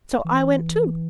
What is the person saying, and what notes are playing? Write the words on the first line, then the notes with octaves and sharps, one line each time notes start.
So I went too.
E3